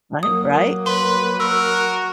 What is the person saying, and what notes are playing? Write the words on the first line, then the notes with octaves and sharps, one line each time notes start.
Right, right.
F#3 A#3 D#6
B4 C6
F#4 A#4 E6